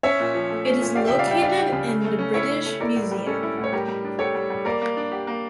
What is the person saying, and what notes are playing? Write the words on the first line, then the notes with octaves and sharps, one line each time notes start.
It is located in the British Museum.
C#4 C#5 E5
A#2
F3
A3
C#4
A#2
G4 D5 F5
E5 G5
C#3
D5 F5
G3 E5 G5
D4 D5 F5
G4
C#3
A3
A3
C#4
E4 C#5 E5
A3
A3
E4 A#4 D5
A2
G3
C#4 A4 C#5
E4
A2
C#5
G3 G4 A#4
G3
D4
G4 A4 C#5
G3
G3
A#3 A#4 D5
A#3
D4
G4
A#3